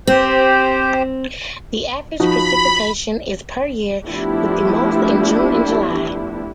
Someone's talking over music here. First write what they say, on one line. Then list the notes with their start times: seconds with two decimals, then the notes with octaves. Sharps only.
The average precipitation is per year, with the most in June and July.
0.07 C4 G4 C5
2.20 F3 D#4 F#4 B5
4.06 F3 A3 B3 D4 E4 G4